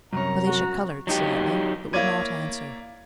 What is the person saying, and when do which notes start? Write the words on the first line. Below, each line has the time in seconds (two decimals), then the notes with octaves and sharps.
Felicia colored slightly, but would not answer.
0.13 C2 F#2 C3 C#5 A#5
0.46 F#4
1.07 F#3 D#4 G4
1.93 A#3 E4 C#5 D5 G#6 D#7